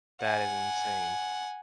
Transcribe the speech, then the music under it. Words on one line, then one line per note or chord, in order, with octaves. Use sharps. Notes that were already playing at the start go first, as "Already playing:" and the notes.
That is insane.
F#5 G#5